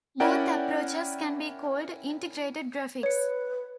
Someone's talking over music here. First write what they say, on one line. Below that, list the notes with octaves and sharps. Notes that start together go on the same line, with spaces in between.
Both approaches can be called integrated graphics.
C#4 E4 A#4 D5 F#5 G5
B4 C#5 C#7